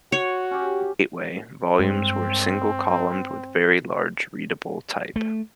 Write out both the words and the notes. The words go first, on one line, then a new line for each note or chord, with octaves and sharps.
The "Gateway" volumes were single-column with large, readable type.
F#4 C#5
C#4 G4
G2 G#3 C4
A3